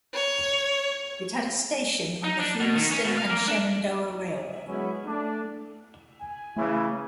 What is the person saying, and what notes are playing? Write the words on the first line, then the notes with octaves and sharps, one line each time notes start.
It had a station on the Humeston and Shenandoah Railway.
C#5
D#4
D4
B2
D#3
C#4
B2
F5
A#3
D4
F#3 G#3 B3 C#4 E4
A3 D4
G#5
C#3 E3 A3 E4